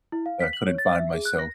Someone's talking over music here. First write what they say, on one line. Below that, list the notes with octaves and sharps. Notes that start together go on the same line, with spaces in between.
uh, couldn't find myself
E4
F5
B6
F#7
C#5
A6
E5
G#4
F#6
A#6